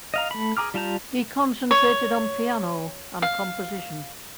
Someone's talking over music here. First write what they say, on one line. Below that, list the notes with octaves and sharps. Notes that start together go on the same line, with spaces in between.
He concentrated on piano and composition.
D#5 F5 A#5
A3 B5
G#4 A#5 D6 F6
G3 F4 A5 A#5 G6
C#5
F5